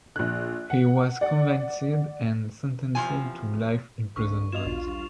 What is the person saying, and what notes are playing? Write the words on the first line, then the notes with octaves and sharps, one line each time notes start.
He was convicted and sentenced to life imprisonment.
A#1 F#6
F#5
D5 F#5
E2 C3 F3 G#5
C2 D3 C#6
B2 F4 D#5 G#6 E7 F7
A#1 D#2 D4
G2